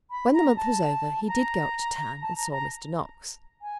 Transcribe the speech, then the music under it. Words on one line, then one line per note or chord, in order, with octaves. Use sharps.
When the month was over he did go up to town, and saw Mr. Knox.
B5
A#5
A5
A#5
A5
A#5
A#5
G#5